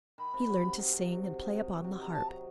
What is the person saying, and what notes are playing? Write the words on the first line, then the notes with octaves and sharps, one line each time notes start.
He learned to sing, and play upon the harp.
D#3 B5
C3
F#3
C3
D#3
C3
F#3
C3
D#3
C3
F#3
C3
D#3 A#5
C3 A5
F#3 A#5